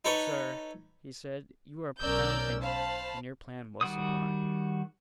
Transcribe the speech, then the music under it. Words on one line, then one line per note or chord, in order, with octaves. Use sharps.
"Sir," he said, "you are a profound thinker and your plan was sublime."
D#4 A4 B4 C#5
B1 C#4 A#4 D5 E6 G6
C5 F5 A5 B5
D#3 G3 F#4 D#6